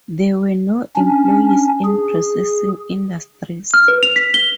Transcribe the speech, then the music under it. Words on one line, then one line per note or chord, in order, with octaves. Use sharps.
There were no employees in processing industries.
C#4 D4
G#4
F6
B4
F7
B6
G7